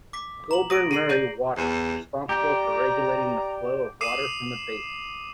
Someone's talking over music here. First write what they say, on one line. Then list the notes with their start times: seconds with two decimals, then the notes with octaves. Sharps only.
Goulburn-Murray Water is responsible for regulating the flow of water from the basin.
0.13 D6 B6
0.51 A#5 F#7
0.70 D#6 A#6 D7 D#7
0.91 G#4 A#5 C7 F#7
1.09 G#4 D5 G6
1.57 E2
2.29 G4 D5 A#5
4.01 D6 D#6 C7 D#7 E7